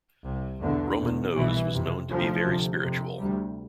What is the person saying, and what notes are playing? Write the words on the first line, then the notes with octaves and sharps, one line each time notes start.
Roman Nose was known to be very spiritual.
C2 C3
E2 B2 D3
E2 B2
C2 B2 E3
F2 C3
D2 C3 F3
D2 C3
F2 C3
D2 C3 G3